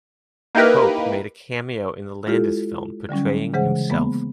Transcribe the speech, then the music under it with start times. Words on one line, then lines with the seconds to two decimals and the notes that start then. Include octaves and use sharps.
Hope made a cameo in the Landis film, portraying himself.
0.55 A#3 D#4 E4 G4 A#4 B4
2.27 G#3 E4 F4 G4 A4
3.09 D3 F#3 G3 C#4
3.54 C#3 E3 G#3 G#4 C5 F#5
3.90 G#3 A#3 B3